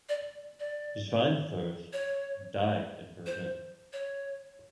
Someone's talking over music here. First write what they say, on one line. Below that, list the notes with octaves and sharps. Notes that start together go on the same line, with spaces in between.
Schweinfurth died in Berlin.
D5
D5
C#5
C5
C#5